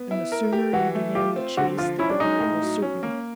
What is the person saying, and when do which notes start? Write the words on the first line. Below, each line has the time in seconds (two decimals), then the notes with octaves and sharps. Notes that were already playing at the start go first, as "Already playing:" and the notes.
"And the sooner you begin the chase the better it will suit me."
Already playing: B3
0.11 E4
0.32 A#4
0.53 G4
0.73 E3 F#4
0.95 A3
1.15 F4 G4
1.36 C4
1.57 D3 F#4
1.77 F3 F4
1.99 C#4 E4
2.09 D4
2.20 G#3 D#4
2.40 A2
2.62 F#3
2.82 C#4
3.03 A#3